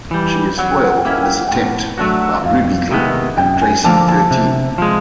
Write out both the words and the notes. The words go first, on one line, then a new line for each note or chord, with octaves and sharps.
She is foiled in this attempt by Blue Beetle and Traci Thirteen.
E3 G3
F#3 F#5
G5
F#5
G5
A#3 C#4 E4 F#5
G5
F#5
A2 G5
F#5
F#3 A3 D4 F#4
F2 F5
C3 D#3 G#3 B3
F#2 G5
G#5
D3 F3 A#3 A5
A5
C3
F3 G#3